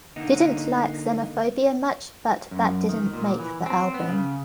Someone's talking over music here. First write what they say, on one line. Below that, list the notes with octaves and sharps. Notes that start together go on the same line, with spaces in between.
Didn't like Xenophobia much but that didn't make the album.
D3 A#3 D#4
F#2
D#3
A#2
E3
C4
B3
C#3